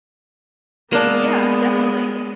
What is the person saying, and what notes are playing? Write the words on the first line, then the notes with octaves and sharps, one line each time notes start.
Yeah, definitely.
G#3 A#3 B3 D4